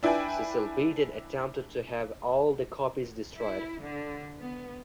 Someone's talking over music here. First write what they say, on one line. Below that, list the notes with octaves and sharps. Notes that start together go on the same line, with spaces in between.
Cecil Beaton attempted to have all the copies destroyed.
D4 E4 B4 G5 G#5
E4
D3
B3